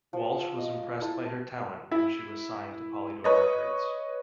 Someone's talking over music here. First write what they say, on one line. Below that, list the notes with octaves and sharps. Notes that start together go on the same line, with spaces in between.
Walsh was impressed by her talent and she was signed to Polydor Records.
F3
D#5
E4 A4
E4
B4 C#5 D#5